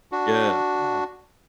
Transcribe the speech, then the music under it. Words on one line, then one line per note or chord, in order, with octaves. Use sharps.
Yeah, wow.
D4 F#4